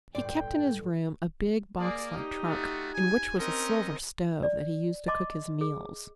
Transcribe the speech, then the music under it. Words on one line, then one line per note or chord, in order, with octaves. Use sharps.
He kept in his room a big box-like trunk, in which was a silver stove that he used to cook his meals.
G1 A2 D5 G5 C6
A#3 G#4 D5
D#4 G4
A3 F4 F#4
G#5
C4 C#4 D#4 A#4 D#5
D5
D#5 A5 C6 D6
G#4